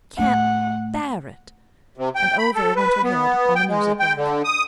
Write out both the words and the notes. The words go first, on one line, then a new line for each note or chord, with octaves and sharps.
"I can't bear it!" and over went her head on the music rack.
A2 A3 F#5
C3
G5
B5
A4
B4
B3
G5
G#3
G5
D3
D#6